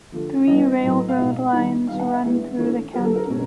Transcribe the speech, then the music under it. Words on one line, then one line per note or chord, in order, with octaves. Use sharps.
Three railroad lines run through the county.
D3 F3 A3
E3 G3 B3 D4 D#5
A2 F#3 B3
F5
B2 G#3 C4 D#4 E5
D#3 G3 C4 D#4
D#3 G3 B3 F5
F#5
E5
E3 G#3 B3 D4
E3 A3 C#4
D3 F#3 A#3 A#4
A4
A#4
B2 G#3 C#4